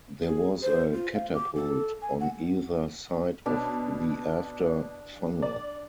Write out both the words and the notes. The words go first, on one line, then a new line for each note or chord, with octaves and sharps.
There was a catapult on either side of the after funnel.
G#4
C5
F4
F5
D6
A4
G#5
F#5
B2 D4
D5